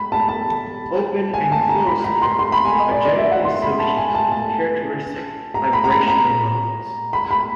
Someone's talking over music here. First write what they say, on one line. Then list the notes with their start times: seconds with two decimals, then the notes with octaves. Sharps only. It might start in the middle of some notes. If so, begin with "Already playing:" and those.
Open and closed strings are generally associated with characteristic vibrational modes.
Already playing: B5
0.12 A5
0.29 A5
1.34 G#5
1.52 A5
1.69 A#5
1.87 B5
2.04 A#5
2.22 C6
2.39 C6
2.52 B5
2.65 G#5
2.79 D#5
2.91 D5
3.05 D5
3.18 E5
3.32 F#5
3.44 C6
3.62 B5
3.80 A5
3.97 G#5
4.15 A5
4.32 A5
5.54 A#5
5.73 B5
5.84 A#5
5.90 B5
6.08 A#5
7.13 B5
7.31 B5